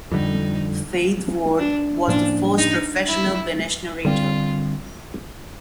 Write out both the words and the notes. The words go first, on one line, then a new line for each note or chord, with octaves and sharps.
Faith Worth was the first professional Benesh notator.
F2 D3 G3 D#4
D4
A2 F3 A#3 C#4 D4
D#4
E4
D3 G3 C4 F4